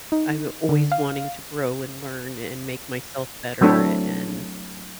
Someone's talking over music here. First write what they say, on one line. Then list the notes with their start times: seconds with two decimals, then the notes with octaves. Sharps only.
I'm always wanting to grow and learn and make myself better, a and
0.12 D#4
0.69 D3
0.92 F5
3.61 F#3 A3 C4 D4 E4